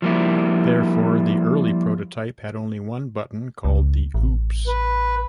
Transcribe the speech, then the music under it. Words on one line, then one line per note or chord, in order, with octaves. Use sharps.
Therefore, the early prototype had only one button, called the Oops!
F3 G3 A#3 E4
C#2
A1
B4